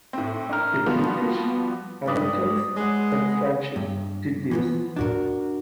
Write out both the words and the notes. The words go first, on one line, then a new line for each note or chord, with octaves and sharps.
The British, Americans and French did this.
A2 C4
D4 E4 A#4
F3 G3 B3 F4 F#4
G2 B4 D5 D#5
G#3 D#5 F#5
G2
E3 F3 B3
D4 F#4 A#4